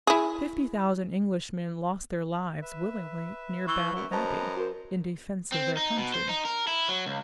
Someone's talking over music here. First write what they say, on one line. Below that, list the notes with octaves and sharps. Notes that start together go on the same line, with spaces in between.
Fifty thousand Englishmen lost their lives willingly near Battle Abbey, in defence of their country.
E4 G#4
B4 E5
E3 C#6 E6 G7
F#2
F#2 B4 C5 D#5 A5 A#5
F#4 A#4 C5
C4
D#4
B2
C5
D#4
A#4
E4
F#3
C#2